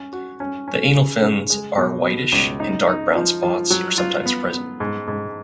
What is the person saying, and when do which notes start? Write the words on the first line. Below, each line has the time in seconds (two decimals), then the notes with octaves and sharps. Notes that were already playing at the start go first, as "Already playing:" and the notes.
The anal fins are whitish and dark brown spots are sometimes present.
Already playing: C#4
0.13 F#4
0.40 C#4
0.68 C#4
0.95 C#3
1.22 C#3
1.50 G#3
1.78 B2
2.05 B2
2.32 C#2
2.60 D#4
2.88 D#4
3.15 F3
3.43 F3
3.70 F#3
3.98 F4
4.26 B3
4.53 B3
4.80 G#2
5.08 G#2